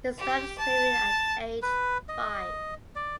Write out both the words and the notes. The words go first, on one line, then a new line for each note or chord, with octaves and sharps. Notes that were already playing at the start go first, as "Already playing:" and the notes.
He started swimming at age five.
G4
A5
B4
D#5
D5